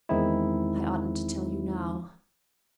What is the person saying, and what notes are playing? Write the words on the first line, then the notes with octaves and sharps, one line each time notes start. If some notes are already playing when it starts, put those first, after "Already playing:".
I oughtn't to tell you now.
E2 D#3 G#3 C4 D#4 E4